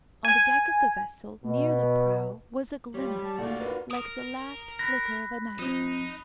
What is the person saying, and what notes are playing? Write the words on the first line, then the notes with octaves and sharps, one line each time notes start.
On the deck of the vessel, near the prow, was a glimmer, like the last flicker of a night-light.
G#5
B2
G3 F4 C#5
A5
A#2 A3 F4 F#4 D5
A#4 B4
A#4 D#6
B5 F#6 A#6 B6
F3 C4 D#4 D#6